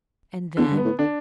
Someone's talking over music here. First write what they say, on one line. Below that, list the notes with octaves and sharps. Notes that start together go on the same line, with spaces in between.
"And then?"
E2 D3
G2
B3
A2
D3 D4